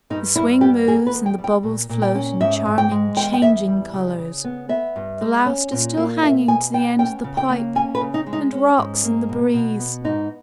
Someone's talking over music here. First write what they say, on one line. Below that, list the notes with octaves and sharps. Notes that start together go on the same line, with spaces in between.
The swing moves, and the bubbles float in charming changing colors: the last is still hanging to the end of the pipe, and rocks in the breeze.
G2 D#4
G2 E4
B3 G4
A#3 G#4
B4
E2
G5
G3
G5
A#2
A#2
G5
C#4
G#2 E5
G#2
G5
G#3
E2 G5
G5
E2 E5
G3
C#3
C#3
B3
B3 E5
G2
G#3
C#4
A#2
A#3
B2 E5
B2 G#5
B3 G5
C#4 G5
C#3
G5
A#3
C#4 G#5
B4
C#3
D#4
G#3
D#4
C#4
G#2
A#3
B2
B2
B3
G#2 D#4